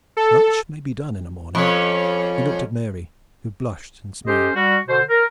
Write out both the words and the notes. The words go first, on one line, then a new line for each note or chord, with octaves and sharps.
"Much may be done in a morning." He looked at Mary, who blushed and smiled.
A4
F2 C#4
C#4 G4 A4 C5 D#5
G3 F#4
B2 D3 C5
A#4